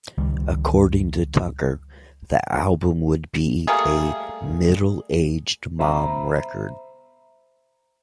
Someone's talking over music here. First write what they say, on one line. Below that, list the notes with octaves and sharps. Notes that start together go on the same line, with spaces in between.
According to Tucker, the album would be a "middle-aged mom record".
C#2 D#3 G3
G3 A3 A#3 G#4
C5 E5 A#5 B5